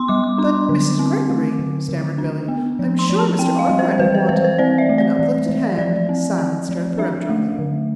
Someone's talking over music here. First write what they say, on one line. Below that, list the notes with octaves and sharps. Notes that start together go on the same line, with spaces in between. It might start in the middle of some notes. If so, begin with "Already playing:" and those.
"But, Mrs. Greggory," stammered Billy, "I'm sure Mr. Arkwright would want--" An up-lifted hand silenced her peremptorily.
Already playing: B3 C6
G3 D6
D6
D4 D6
D3
C4
A3
D3
D3
D4
B3
F3
C6
F3
A5
C4 G5
F5
G3
C5
E3 B4
C5
E3 C5
C5
C4 D5
E5
A3
D5
E3
E3
F3 D5
C4
C4
F3
D4 E5
A3
D3